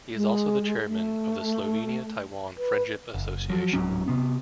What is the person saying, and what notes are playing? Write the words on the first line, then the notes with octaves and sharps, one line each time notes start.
He is also the chairman of the Slovenia-Taiwan Friendship Association.
G#3
A3
B4
F#1
F3 F#3
D1 G#2 F#3 C#4
C3 B3